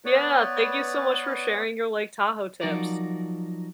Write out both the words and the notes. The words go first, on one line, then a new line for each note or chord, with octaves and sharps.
Yeah, thank you so much for sharing your Lake Tahoe tips.
B3 B4 C#5 D5
F3 F#3 D#4 F#4 A#4 D5